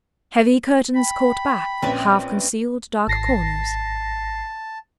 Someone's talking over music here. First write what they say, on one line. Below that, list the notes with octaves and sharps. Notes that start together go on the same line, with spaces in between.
Heavy curtains caught back, half concealed dark corners.
G5 B5
A#1 C4 C#4 B4 D5 E5
G#1 A5 A#6 C7